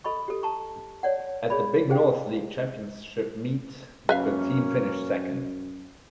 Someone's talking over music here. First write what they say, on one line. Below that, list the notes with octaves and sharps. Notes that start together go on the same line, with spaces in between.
At the Big North League Championship Meet, the team finished second.
A4 D#5 B5 C#6
G4 A4
A5 A#5 C#6
C#5 D5 F#5
G#4 C#5 D5 B5
G4 G#4 C5 F5 G5
F#2 A#3 C#4 B4 E5 F5